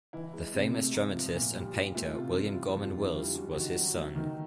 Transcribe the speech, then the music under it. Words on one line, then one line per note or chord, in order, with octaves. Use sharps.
The famous dramatist and painter William Gorman Wills was his son.
E3 E4
G#3
C3
A3
G#2
F3
A#2
G3
G3
A3 F4
C3 F4
F3 F4
G3 F4
F2 F4
F4
D3 E4
G3 F4
F#2 F#4
D#3 F#4
F#3
A3
D#3